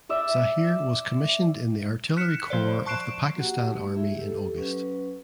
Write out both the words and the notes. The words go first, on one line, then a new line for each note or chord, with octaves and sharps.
Zahir was commissioned in the Artillery Corps of the Pakistan Army in August.
D5 E5
F6 F#6 B6 C#7 E7
F3 C5 D5
A5 C#6 F#6 C7 D7 E7
A#3 F#4 G4 F#5
A3 G4
E4 G#4 E5
G4 A4
F#3 C#4 B4